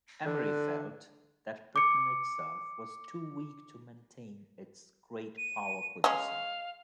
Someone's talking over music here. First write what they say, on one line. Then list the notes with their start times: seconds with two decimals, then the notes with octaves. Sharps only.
Amery felt that Britain itself was too weak to maintain its great power position.
0.25 D3
1.76 D6 C#7
5.38 D#7
6.04 G#3 C#4 F5